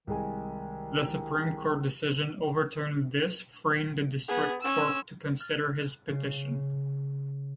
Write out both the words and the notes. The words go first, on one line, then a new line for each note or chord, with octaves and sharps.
The Supreme Court decision overturned this, freeing the District Court to consider his petition.
C2 D#3 G#3 G#5
B3 G#4
C#4 E6
F6 F#6 A6
C#3 C7